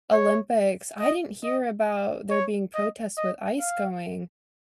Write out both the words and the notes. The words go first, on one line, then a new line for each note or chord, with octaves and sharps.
Olympics, I didn't hear about there being protests with ICE going.
C#5
D#5
D#5
C#5
D#5
D#5
F5